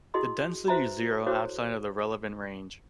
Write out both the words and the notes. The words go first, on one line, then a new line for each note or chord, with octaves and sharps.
The density is zero outside of the relevant range.
E4 F#4 G#4 D#5 C6 D#6
F#4 B4 C5 E5 A5 A#5
E4 F#4 A4 C5 C#5 D6